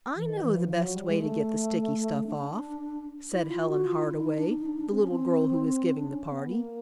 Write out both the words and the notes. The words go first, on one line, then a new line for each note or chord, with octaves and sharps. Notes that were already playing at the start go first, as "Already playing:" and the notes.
"I know the best way to get the sticky stuff off," said Helen Hardway, the little girl who was giving the party.
E3
D#3
E3
F3
F3
F#3
G3
G#3
A3
D4
E4
F4
F#4
F4
E4
D#4
D4
D#4
D4
D#4
D4
D#4
D4
C4
C#4
C4
D4
C#4
B3
A#3